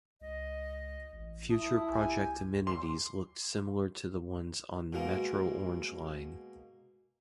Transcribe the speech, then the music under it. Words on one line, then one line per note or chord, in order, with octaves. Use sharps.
Future project amenities looked similar to the ones on the Metro Orange Line.
C#2 D#5
A1
B1 E4 A5 D#6
C2 G4 G#5
C6
B2 G#3 A#3